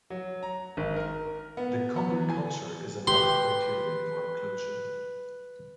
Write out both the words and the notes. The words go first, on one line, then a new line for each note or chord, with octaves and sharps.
The common culture is another criterion for inclusion.
F#3
A#5
G#1
A#4
B3
B3
E3
G#5
G4 B4 C6